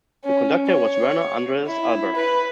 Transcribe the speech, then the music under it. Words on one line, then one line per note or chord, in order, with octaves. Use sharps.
The conductor was Werner Andreas Albert.
C#4
C#5
E4
B4